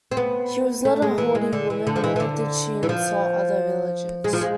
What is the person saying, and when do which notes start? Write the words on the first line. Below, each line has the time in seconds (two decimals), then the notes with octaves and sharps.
She was not a haughty woman, nor did she insult other villagers.
0.11 C4
0.17 B3
0.85 A3
1.02 G#3
1.18 E3
1.35 G#3
1.53 D3
1.70 E3
1.87 D3
1.96 F3
2.04 E3
2.16 E3
2.20 D3
2.83 E3
2.89 F3
4.24 G#3
4.33 F3
4.41 G#3